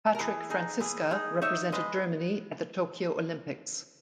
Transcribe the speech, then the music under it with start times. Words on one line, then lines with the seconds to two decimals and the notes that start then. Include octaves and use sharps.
Patrick Franziska represented Germany at the Tokyo Olympics.
0.15 A#4
0.19 E3 G#4
0.50 D#4 G#4
0.80 E3 G#4
1.11 D#4 G#4
1.42 D#4 C#5 E5
1.72 G#3 B4 D#5